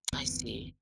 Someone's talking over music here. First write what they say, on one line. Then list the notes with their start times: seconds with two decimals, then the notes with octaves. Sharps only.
I see.
0.12 G1 E2 B3 C4